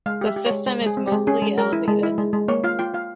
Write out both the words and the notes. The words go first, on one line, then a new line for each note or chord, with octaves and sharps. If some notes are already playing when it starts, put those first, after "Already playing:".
The system is mostly elevated.
G#3 F5
G4 E5
G4
G#3 C#5
G#3 C5
G#3 G#4
C4
G#3 G4
C#4 G#4
G#3
G#3 A#4
E4
G#3
E4
G#3
G#3
A#3 C#5
F4 F5
F4 G5
F4 F5